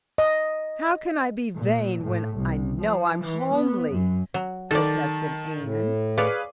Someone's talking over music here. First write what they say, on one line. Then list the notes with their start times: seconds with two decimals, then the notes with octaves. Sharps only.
"How can I be vain when I know I'm homely?" protested Anne.
0.18 D#5
1.55 A#2
2.03 A2
2.37 C2
2.82 F3
3.23 E3
3.54 B3
3.92 F#2
4.34 F#3
4.71 D#3 A4 D5 A5 A6
5.60 A2
6.18 G#4 B4 C#5 D5 F5